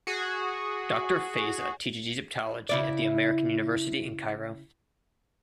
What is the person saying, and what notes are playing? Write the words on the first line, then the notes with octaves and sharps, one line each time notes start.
Doctor Fayza teaches Egyptology at the American University in Cairo.
F#4 G#4
C#3 E4 D5